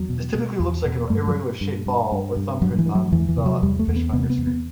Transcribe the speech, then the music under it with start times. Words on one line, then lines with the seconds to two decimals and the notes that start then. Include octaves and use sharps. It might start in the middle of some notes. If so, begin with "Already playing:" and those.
This typically looks like an irregularly shaped ball or thumbprint on the fishfinder screen.
Already playing: E2 F#3
0.09 B2
0.35 B2
0.60 E2
0.85 B2
1.10 G2 A3
1.27 F#3
1.36 G2
1.61 G2
1.86 G2
2.12 G2
2.36 G2
2.61 G2 F#3
2.78 E3
2.87 G2
2.95 F#3
3.12 E2 E3
3.28 E3
3.37 C3
3.46 F#3
3.62 E2 G3
3.79 A3
3.88 E2
3.96 B3
4.13 C3 B3
4.23 A3
4.30 B3
4.38 E2
4.47 B3